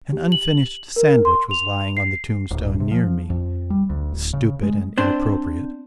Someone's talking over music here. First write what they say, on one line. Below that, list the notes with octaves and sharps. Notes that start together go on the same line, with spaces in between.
An unfinished sandwich was lying on the tombstone near me; stupid and inappropriate.
G4
F#7
A#4
C6
F7
C7
D1
C3
F3
F2
G3
D2
D1
C#3
G#3
C4 D4 C5